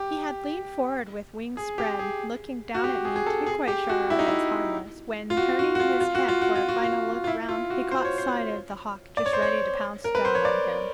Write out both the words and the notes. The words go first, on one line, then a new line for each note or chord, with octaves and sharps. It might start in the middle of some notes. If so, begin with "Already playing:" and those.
He had leaned forward with wings spread, looking down at me to be quite sure I was harmless, when, turning his head for a final look round, he caught sight of the hawk just ready to pounce down on him.
Already playing: G4
G#4
G4
G#4
F#4
G4
G#4
G#4
A4
G#4
G4
F#4
E4
D#4
E4
F4
F#4
F#4
F#4
F4
F4
F#4
F4
F#4
F4
F#4
F4
F4
E4
F4
F#4
C5
C#5
C5
D5
C#5
C5
C#5
A#4
B4
C5
C#5
D5